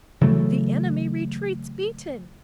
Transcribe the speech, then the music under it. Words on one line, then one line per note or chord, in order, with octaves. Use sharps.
The enemy retreats beaten!
C#3 E3 F#3 A3